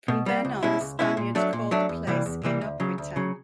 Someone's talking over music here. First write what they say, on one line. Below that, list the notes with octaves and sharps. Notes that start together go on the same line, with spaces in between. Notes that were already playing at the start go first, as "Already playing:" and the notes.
From then on, the Spaniards called the place "Inoquitan".
B2
G3 A#3
C#2
B2 G#3 C#4 E4
C#2
B2 G#3 C#4 E4
A#2
F#3 A3 D4
A#2
F#3 A3 D4
E2
C3 E3 G3 A#3
E2
C3 E3 G3 A#3
D2
C#3 F#3
D2
C#3 F#3